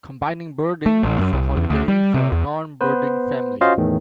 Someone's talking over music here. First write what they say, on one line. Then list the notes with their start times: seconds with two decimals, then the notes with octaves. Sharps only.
Combining birding with a holiday for a non-birding family.
0.86 A3
1.03 A1
1.19 F#2
1.33 C2
1.57 E2
1.70 D2
1.88 G3
2.14 C3
2.32 E2
2.81 B3 B4 C5
3.61 C#4 F4 F#4 C5 D#5 F5
3.78 E2 A2 D#3 E3